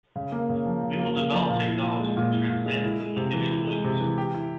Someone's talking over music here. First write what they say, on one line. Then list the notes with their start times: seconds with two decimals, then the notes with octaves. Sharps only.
We will develop technology that transcends the individual user.
0.16 C#3
0.32 A#3
0.49 C#3
0.66 F3
0.83 C#3
0.99 A#3
1.16 C#3
1.33 F3
1.49 A#2
1.67 E4
1.83 A#2
2.00 G#3
2.17 A#2
2.33 E4
2.50 A#2
2.66 G#3
2.84 E4
3.00 G#3
3.16 C3
3.33 E3
3.51 E4
3.67 G#3
3.84 C3
4.00 E3
4.18 G4
4.34 E4